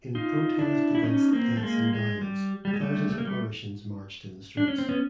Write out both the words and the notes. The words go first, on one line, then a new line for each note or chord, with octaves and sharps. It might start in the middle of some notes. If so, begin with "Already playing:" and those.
In protest against the deaths and violence thousands of Mauritians marched in the streets.
D#4 F4
D4 E4
E4
C#4 D#4
A#3 C4
A3
G#3 A#3
G#3
G3
G3
G#3
G3 A3
A3
A#3
G3 A3
D4
C#4
C4
B3 C#4